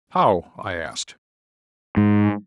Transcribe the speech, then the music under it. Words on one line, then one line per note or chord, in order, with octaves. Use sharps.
"How?" I asked.
G#2